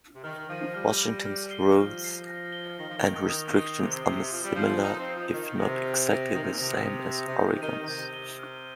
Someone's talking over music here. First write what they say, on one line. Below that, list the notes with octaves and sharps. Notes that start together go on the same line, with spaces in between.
Washington's rules and restrictions are similar, if not exactly the same, as Oregon's.
C3
D#3 F6
F3 A#6 D#7
G3 F6
A#6 D#7
F6
C7 G7
D#3
F3 F6
C7 G7
A#6
G7
D#3 A#6
F3
D#3
G7
D#6
C7 G7
C3 D#6
C3 C7 G7
F3 D#6
G3
F3 G6 C7
D#4 D#6
C4
G6 C7
F3
D#3 F6
C3 A#6 F7
F6
A#6 F7
D#3 D#6
C3
A#2
C3 A#6 F7
D#6
A#6 F7
C3
D#3 G6
C3
D#3 D#7 G7
D#3
C3 G6
D#7 G7
F6